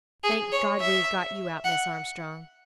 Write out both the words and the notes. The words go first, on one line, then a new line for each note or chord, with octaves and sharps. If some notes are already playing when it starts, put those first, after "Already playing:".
"Thank God, we have got you out, Miss Armstrong."
G#4
C#5
E5
F#5